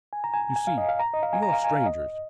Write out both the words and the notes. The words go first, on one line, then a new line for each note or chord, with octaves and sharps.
"You see, we are strangers."
G#5
A#5
G#5
G#5
F5
D#5
F5
A#5
D#5
F5
G#5
A#5
F5
G#5
F5
D#5